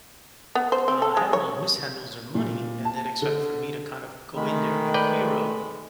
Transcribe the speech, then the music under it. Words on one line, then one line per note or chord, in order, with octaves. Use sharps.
uh, handle mishandles their money and then expect for me to kind of go in there, like, hero
B3
C5
C4
A4
G#3
C#5
A#2
A5
D3
D#3 G#3 A3 B5
B4 D5 G5